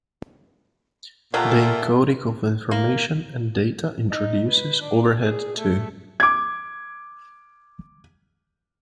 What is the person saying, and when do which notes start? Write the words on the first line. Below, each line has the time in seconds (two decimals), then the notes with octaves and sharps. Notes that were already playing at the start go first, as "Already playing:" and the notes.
The encoding of information and data introduces overhead too.
1.34 A#2 F#3 G3 A3
2.71 A#3
4.11 D#4
4.49 B4
4.83 D4
5.23 G#4
5.58 A3
6.20 D6 G#6